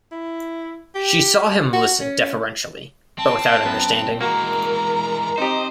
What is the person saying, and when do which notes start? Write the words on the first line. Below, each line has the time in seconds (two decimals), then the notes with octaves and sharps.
She saw him listen deferentially, but without understanding.
0.11 E4
0.95 G4
1.73 F#4
2.01 C#4
3.18 C4 A5
3.65 F#2 B3
4.21 E3 G#3 A#3 F#4 A#4 A#5
5.38 C4 D#4 G4 C5 D#5